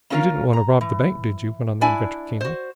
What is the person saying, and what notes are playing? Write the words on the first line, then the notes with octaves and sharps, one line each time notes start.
"You didn't want to rob the bank, did you?" went on the inventor, keenly.
A#3 C#4 F4 A4 A#4 F5
A#5
E3
D4 E4 D5 G#5
F#4 C5